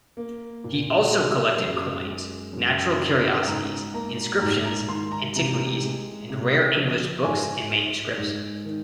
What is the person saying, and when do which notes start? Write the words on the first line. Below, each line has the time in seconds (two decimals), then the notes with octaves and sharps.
He also collected coins, 'natural curiosities,' inscriptions, antiquities and rare English books and manuscripts.
0.17 A#3
0.64 A#2
1.11 F#3
1.58 F#2
2.06 G#3
2.53 F#2
3.00 C#3
3.46 G#2 A#5
3.94 A#3 A#5
4.41 G#2 A#5
4.65 A#5
4.88 D#3 C6
5.12 A#5
5.36 C3 A#5
5.82 G#3
6.30 C3
6.77 F3
7.24 G#2 G#5
7.71 G#3
8.18 G#2
8.65 D#3